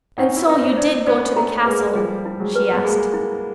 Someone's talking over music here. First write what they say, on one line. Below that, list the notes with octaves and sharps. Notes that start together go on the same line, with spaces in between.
'And so you did go to the castle?' she asked.
C#4 D#4 F#5
E4
D#4 B4
C4 D4
D5
B3 C#4 D5
A3 B3 A#5
G#3 A#3 B4
F3 G3 G#4
E4
F#3 G#3
B4
B3
G#3 A#3 G#4
E4